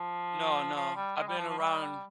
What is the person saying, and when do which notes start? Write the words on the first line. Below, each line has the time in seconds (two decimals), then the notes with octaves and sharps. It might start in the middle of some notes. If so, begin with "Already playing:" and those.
No, no, I've been around
Already playing: F3
0.75 F3
0.96 G3
1.17 G#3
1.28 G3
1.38 F3
1.49 F3
1.59 G3